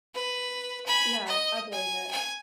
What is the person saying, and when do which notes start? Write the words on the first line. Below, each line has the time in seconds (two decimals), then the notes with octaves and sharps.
Yeah, I believe it.
0.14 B4
0.86 G#5 B5
1.27 D#5
1.72 G#5
2.11 G#5